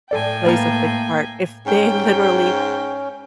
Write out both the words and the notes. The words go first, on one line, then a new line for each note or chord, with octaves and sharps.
plays a big part if they literally,
A2 A4 D5 G5 G#5
A#3 B4 F5 A5 A#5
G#2 C#4 G5